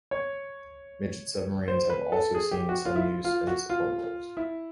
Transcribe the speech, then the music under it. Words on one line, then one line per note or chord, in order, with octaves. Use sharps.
Midget submarines have also seen some use in support roles.
C#5
C5
B4
A4
G#4
G4
F#4
F4
E4
F4
F4
F#4
F4
E4